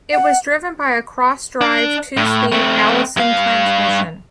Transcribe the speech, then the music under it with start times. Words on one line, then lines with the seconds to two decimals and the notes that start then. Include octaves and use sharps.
It was driven by a cross-drive, two-speed Allison transmission.
0.13 F#5
1.61 D4
2.17 A2
2.52 A3 C4
3.17 G2 F5